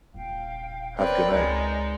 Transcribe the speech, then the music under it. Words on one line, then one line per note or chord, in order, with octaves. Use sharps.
Have a good night.
D#1 A#1 F5 G5
C4 A#4 B4 C#5 D5
C#2 G#3 C#4 D#4